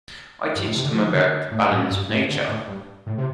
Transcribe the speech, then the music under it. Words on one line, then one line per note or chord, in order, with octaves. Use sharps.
I teach them about the balance of nature.
G2
A2
C3
D3
F3
D3
A2
A2
G2
A2
D3
A2
G2
A2
C3